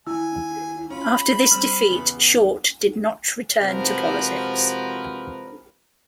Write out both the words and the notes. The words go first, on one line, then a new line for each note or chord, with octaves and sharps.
After this defeat, Short did not return to politics.
D#2 E4 G#5 E6
C#4 F4 B5
G3 C4 C5 F6
E2 C#3 B3
C3 F3 G#3 F#4 A#4 B4